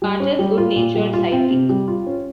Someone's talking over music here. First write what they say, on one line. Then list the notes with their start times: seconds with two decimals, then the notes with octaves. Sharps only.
Carter's good-natured sidekick.
0.02 G3
0.20 C#4
0.39 G3
0.58 F4
0.76 A#2
0.95 G3
1.13 F4
1.32 C4
1.51 C3
1.69 G3
1.88 F4
2.07 C#4